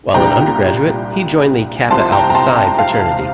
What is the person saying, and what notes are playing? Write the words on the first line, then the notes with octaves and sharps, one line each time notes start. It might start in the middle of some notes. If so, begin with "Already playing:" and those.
While an undergraduate, he joined the Kappa Alpha Psi Fraternity.
C2 A#2 G3 D4 G5 A#5
C2 C3 F3 A5 C6
G5 A#5
A#5
A5 C6
G5 A#5
F5 A5